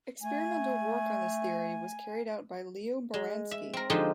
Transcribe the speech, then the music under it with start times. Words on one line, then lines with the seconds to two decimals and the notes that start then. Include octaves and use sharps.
Experimental work on this theory was carried out by Leo Baranski.
0.22 A3 G#5
3.14 G#3
3.51 E5
3.73 C4 A#4
3.90 D3 F3 G#3 D#4 G4 C5